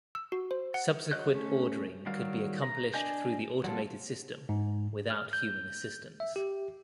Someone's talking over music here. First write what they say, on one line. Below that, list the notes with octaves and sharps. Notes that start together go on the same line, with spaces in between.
Subsequent ordering could be accomplished through the automated system without human assistance.
E6
F#4
C5
F#5
F#3 C#5 D#5 F#6 G6
A3 C#4
D#3 F#3 G3 F5
A#5
D4 D#5 G#5 G6
F#3 G3 F4 A4
G#2
F6
G6
E5
G4